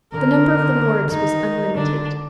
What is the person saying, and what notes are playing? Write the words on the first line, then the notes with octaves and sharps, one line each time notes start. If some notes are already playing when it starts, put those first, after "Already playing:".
The number of the Lords was unlimited.
D3 A#4
D#3 D#4
D3 D4